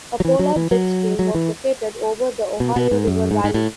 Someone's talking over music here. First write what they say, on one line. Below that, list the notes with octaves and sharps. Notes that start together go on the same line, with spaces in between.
A polar jet stream was located over the Ohio River valley.
F#3
E3
F#3
E3
F#3
F#3
E3
B2
B2
G#2
F#2
G#2
G#2
A2